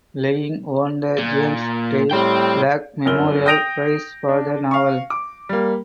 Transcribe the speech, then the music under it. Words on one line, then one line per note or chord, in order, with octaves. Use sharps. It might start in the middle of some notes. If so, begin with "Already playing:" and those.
Laing won the James Tait Black Memorial Prize for the novel.
A#2
A2 G3 C5 G5
G1 F#2 A#4 G7
G5 D#6 G6 A#6 D7 F7
D4
F5 C#6
D6
G3 A#3